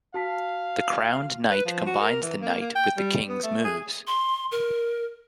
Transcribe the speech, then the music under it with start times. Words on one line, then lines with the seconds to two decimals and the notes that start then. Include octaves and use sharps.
The crowned knight combines the knight with the king's moves.
0.14 F#4 F5 A5 B6
1.51 B4
1.66 F3
1.87 F#4
2.01 A#4
2.22 E3
2.41 A#3
2.61 A#3
2.76 G5
2.97 G3
3.29 B3
3.43 A3
3.65 G#4
4.07 C6
4.52 A#4